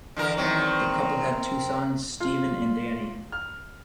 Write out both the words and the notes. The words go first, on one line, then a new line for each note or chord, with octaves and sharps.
The couple had two sons, Steven and Danny.
D3 E3 A#4
E2 D#3 F#3 C4 A#4
F4
F6